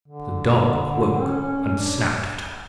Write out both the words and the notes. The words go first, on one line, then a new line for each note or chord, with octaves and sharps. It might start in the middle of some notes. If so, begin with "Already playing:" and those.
The dog awoke, and snapped at her.
D3
C#4
D4